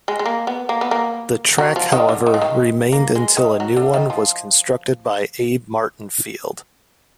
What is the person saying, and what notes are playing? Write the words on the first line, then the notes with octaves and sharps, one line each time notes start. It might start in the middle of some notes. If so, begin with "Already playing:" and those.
The track, however, remained until a new one was constructed by Abe Martin Field.
G#3
G#3
A#3
B3
A#3
B3
A#3
F#3
F3
D#3
D3
D#3
F3
D#3
A#3
G#3
D#3
F#3
D3
D#3
F3